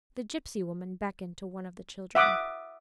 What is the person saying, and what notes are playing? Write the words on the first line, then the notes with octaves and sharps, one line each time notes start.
The gipsy woman beckoned to one of the children.
E5 F#5 D6 D#6